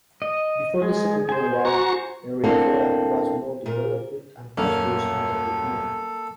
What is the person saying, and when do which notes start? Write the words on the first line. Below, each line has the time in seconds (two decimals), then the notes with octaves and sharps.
Before the Second World War, Eritrea was more developed and prosperous than Ethiopia.
0.22 D#5
0.82 G#3 G#4
1.29 C5 G#5
1.65 F#4 A#5 C#6
2.44 E2 A#3 C4 D4 A4
3.66 A#2 A#4
4.58 D#1 F#2 A#3 C#4 A4